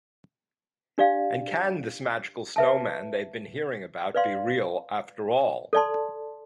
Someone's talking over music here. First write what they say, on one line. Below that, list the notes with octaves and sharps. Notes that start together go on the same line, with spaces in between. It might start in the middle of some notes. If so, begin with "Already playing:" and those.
And can this magical snowman they've been hearing about be real after all?
D4 G4 D5 F5
B4 E5 A5
B4 D5 F5 C6
A4 D5 A5 C6